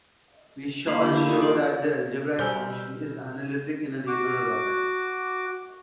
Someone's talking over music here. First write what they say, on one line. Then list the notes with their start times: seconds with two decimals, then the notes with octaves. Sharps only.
We shall show that the algebraic function is analytic in a neighborhood of "x".
0.87 A#3 F5 B5
1.02 D3 G4
1.15 E4
1.27 E3 D#4 F4 C#6
1.42 D5
2.39 B2 G3 C5 G#5 E6 F6 G6
4.07 F#4 D6